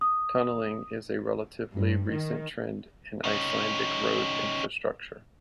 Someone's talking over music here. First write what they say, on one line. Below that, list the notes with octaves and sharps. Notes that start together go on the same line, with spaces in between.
Tunneling is a relatively recent trend in Icelandic road infrastructure.
D#6
G2
D#3
C#4 D#4